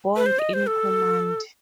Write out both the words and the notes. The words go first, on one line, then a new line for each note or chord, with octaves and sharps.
Bond in command.
B4
C5
D#5
C5
A4